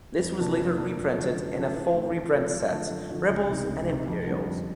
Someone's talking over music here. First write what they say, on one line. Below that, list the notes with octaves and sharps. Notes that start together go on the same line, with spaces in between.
This was later reprinted in a full reprint set, Rebels and Imperials.
F2
C3 F3 A#3 D4
F2
C3 F3 A#3 D4
F#2
D3 F3 A3 C#4
F#2
D3 F3 A3 C#4
A2
F3 A3 C4 F4
A2
F3 A3 C4 F4
F#2
D3 F3 A3
F#2
D3 F3 A3
C#2
C3 D#3
C#2
C3 D#3
F2
D3 G3
F2